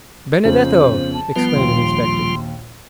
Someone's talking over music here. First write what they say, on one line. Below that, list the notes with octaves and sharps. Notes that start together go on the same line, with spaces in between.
"Benedetto!" exclaimed an inspector.
F2 C#3 B3 C5
A5
F3 G3 B3 F4
A#1 D#2 C6